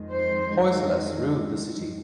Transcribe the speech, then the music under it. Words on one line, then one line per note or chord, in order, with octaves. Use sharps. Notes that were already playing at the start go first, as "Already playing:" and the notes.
Hoysalas ruled the city.
Already playing: F2 D#3 G#3
C5